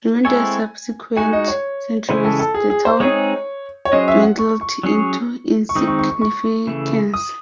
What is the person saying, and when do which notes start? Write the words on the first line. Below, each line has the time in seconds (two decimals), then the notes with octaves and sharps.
During the subsequent centuries, the town dwindled into insignificance.
0.25 G#3 C4 E4 A4 C#5 G#5
1.17 G#3 D#4 F#4 G#5
1.33 D#5
1.48 C#5
2.09 C#3 E3 G#3 C#4 E4 C5
2.24 A4
2.39 A4
2.54 G#4
2.70 G#4
2.85 C5
3.00 G#3 C4 D#4 G#4 C#5
3.85 C#5
3.92 F#3 C#4 G#4 C5 D#5
4.08 E5
4.23 F#5
4.39 C#6
4.61 C#6
4.83 F#3 C#4 G#4 C#5
5.69 C#6
5.75 D#3 G#3 C4 D#4 D#6
5.87 C#6
5.99 C#6
6.10 C#6
6.21 C#6
6.67 C#3 E3 A3
7.14 D#6